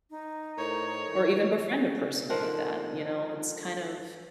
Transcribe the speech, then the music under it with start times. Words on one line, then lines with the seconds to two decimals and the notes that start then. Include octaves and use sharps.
or even befriend a person like that, you know, it's kind of
0.10 D#4
0.58 A2 A#4 C5 C#5
1.07 G#2 E3
2.29 G#2 D3 F3 A#4 D#5 F#5